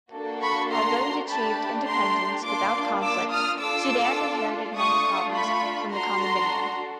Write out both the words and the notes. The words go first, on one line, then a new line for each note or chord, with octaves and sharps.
Although it achieved independence without conflict, Sudan inherited many problems from the condominium.
A#3 D4 F#4 A4
B5 C#6
A#5 C6
A3 D4 G4 A5 B5
A#5 C6
A#3 D4 F4 C6 D6
D6 E6
D#6 F6
D4 F4 A4 D6 E6
A3 D4 F4 C#6 D#6
B5 C#6
D4 F#4 A4 A#5 C6